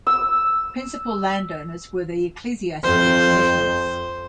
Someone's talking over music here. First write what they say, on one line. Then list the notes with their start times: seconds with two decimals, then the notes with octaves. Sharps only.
Principal landowners were the Ecclesiastical Commissioners.
0.07 E6
2.83 F2 C5